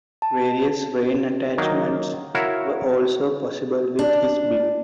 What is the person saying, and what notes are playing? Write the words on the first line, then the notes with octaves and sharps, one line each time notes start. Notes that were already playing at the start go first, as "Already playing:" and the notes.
Various rein attachments were also possible with this bit.
A5
D#3 F#3 A#3
E4 F#4 A#4 C#5 E5 F5
D4